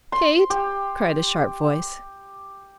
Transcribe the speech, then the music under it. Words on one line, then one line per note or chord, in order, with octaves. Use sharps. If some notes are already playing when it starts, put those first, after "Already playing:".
"Kate?" cried a sharp voice.
C6
G4